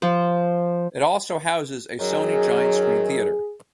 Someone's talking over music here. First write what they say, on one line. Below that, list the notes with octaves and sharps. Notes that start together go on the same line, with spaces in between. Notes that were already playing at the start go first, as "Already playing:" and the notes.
It also houses a Sony Giant Screen theater.
F3
F#2 D#3 F#3 G#4